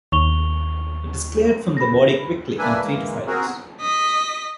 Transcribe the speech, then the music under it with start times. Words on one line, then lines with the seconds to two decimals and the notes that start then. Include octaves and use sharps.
It is cleared from the body quickly, in three to five days.
0.12 D#2 C#6 F7 G7
1.77 B5 A#6
2.58 A3 A#3 D4 B4 E5 G#5
2.81 E3 G#3 A#3
3.27 C4 F#4 G#4 A#4
3.81 D#5 B6